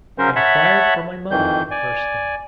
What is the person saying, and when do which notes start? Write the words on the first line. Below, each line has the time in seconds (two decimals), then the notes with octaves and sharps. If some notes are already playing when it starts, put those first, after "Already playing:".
I inquired for my mother the first thing.
0.18 C#3 F#3 C#4 A#4 C5
0.36 C#5 E5 F#5 A5 B5
1.31 F2 D#3 E3 G6
1.71 D5 G#5